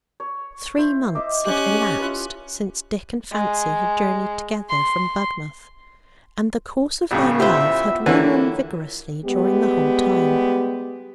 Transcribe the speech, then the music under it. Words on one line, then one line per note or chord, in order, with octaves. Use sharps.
Three months had elapsed since Dick and Fancy had journeyed together from Budmouth, and the course of their love had run on vigorously during the whole time.
C#5
E4 C5
D#5 E5 D6
C#4 G4 C5 F#6
E4 F4 B4
G#3
C6
B1 A2 C#3 G4 D5 E5 F#5
B3 E4 F4 G4 B4 C5 E5
D3 E3 F#3 A#3 E4 G4 A#4 B4
G3 G#3 B3 G4